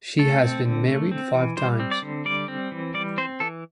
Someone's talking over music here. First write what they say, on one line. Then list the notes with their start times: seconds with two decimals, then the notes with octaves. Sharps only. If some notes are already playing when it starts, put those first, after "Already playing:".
She has been married five times.
0.19 A3 A4
0.42 C4
0.65 D3
0.88 A3
1.11 C4
1.34 E3
1.57 G3 C5
1.80 C4
1.91 D5
2.02 D3
2.25 G3 D5
2.48 C4
2.72 E3
2.94 G3 D5
3.18 C4 C5
3.40 E3 A4